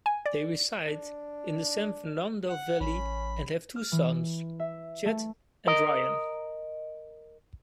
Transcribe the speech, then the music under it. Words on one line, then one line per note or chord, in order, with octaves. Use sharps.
They reside in the San Fernando Valley and have two sons, Chad and Ryan.
G#5
D5
D4
F#5
A1 C#4 B5
F6
E3
E5
A3
A#4 D#5